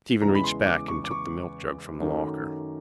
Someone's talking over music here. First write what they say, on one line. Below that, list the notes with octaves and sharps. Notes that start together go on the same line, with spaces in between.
Stephen reached back and took the milkjug from the locker.
E2 C#3 E3 G#3 A#5
B5
C6
D6
C#6
D6
C#6
F#2 D#3 F#3 A3